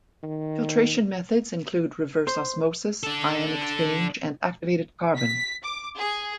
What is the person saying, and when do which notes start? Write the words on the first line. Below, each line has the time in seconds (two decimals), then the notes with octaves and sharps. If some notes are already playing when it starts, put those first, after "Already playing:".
Filtration methods include reverse osmosis, ion exchange and activated carbon.
0.23 D#3
2.27 C5
3.03 D4 A4
5.16 B6
5.63 D6
5.97 G#4